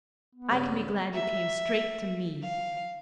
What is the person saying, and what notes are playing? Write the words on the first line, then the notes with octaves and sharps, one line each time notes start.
I can be glad you came straight to me.
B3
G2 C#3
E5
F5